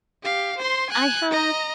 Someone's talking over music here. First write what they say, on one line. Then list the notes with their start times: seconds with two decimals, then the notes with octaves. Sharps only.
I have
0.23 G4 F5
0.58 C5 C6
0.90 G#5 F#6
1.31 D#5 A#5